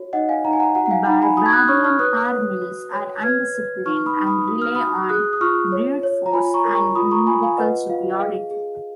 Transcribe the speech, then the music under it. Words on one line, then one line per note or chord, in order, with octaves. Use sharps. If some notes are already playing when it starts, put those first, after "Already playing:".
Barbarian armies are undisciplined and rely on brute force and numerical superiority.
Already playing: F#4 C#5
D#4 D#5 F#5
F5 G#5
D#4 F#5 A#5
G#5
F#5 A#5
F#4 F#5 A#5
F#5
F5 G#5
D#4 F#5 A#5
G#5 B5
F#4 B5 D#6
G#6
D#6 F#6
C#5 C#6 F6
C#6 F6
B4 D#6 F#6
B4
F#4
C#5
B4 F6 G#6
B4
D#4 C#6 F6
F6
B5 D#6
D#4
B5 D#6
F#4 D#6
F6
F#4 B5 D#6
G#4 D#6 F#6
D#6
F4 C#6 F6
C#5
C#5
A#5
F4 G#5 B5
A#5 C#6
A#4
A#5 C#6
F4 B5 D#6
A#5 C#6
F4 G#5 B5
F5 G#5
B4 D#5 F#5
F4 F5
D#5
G#4 F5
G#4